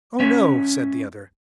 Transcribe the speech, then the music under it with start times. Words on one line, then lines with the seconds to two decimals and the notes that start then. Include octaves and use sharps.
"Oh no," said the other.
0.20 G#3 C#4 E5